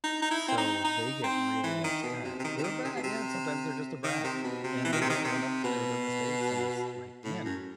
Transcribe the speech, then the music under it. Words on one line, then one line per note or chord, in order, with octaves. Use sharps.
so, they get really upset. They're a brat, yeah, sometimes they're just a brat, and they don't own up to their mistakes, and it's like, "Man,
D#4
D#4
E4
C4
D#4
D#4
C4
E3
D#3
B2
C3
C3
D#3
C3
D#3
C3
B2
C3
D#3
C3
B2
C3
E3
D#3
C3
D#3
C3
B2
A2
F#2